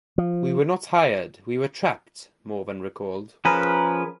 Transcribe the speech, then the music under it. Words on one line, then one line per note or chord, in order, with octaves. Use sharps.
"We were not hired, we were trapped" Morvan recalled.
F3
F3 C#4 G#4 A#4 B4